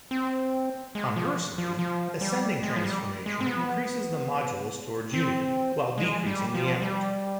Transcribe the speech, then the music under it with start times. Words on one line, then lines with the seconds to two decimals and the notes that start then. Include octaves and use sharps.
Conversely, ascending transformation increases the modulus towards unity, while decreasing the amplitude.
0.11 C4
0.95 G#3
1.16 F3
1.58 F3
1.79 F3
2.21 G3
2.63 G#3
2.76 F3
2.84 G3
3.26 G#3
3.41 C4
3.46 B3
5.13 C4
5.98 G#3
6.26 G3
6.54 F3
6.82 G3